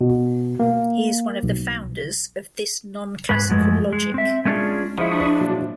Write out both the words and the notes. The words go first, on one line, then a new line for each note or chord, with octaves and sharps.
He is one of the founders of this non-classical logic.
B2
A#3
B1
G#2 G#3 B4
F#2 F3 G#3 A3
G#3
C4 E5
G#3 A3 C#4 D4 F4 G#4
F3 G#3 E4 B5 C#6 D#6
D4
A#2 F#3